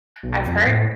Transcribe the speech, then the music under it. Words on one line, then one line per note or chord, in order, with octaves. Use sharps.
I've heard
B1
F2
A2